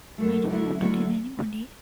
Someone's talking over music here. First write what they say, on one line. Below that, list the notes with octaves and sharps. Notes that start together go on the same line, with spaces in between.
I don't want to tell anybody.
F#2 D3 A3
D2 D3 F#3 A3 E4
D2 D3 F#3 A3 E4